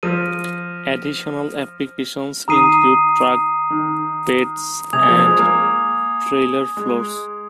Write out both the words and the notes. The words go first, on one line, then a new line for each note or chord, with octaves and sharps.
Additional applications include truck beds and trailer floors.
F3 F6 A#6 D#7
D#3 A#5 D#6 C7 D#7
D#3
C3 G#5 D#6 G#6 F7
F3
F3
G#3
A#3
G#3